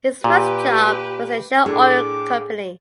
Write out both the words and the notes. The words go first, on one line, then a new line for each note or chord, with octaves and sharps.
His first job was at Shell Oil Company.
A#2 G4 B4
A2 D4 G#4 A4 D6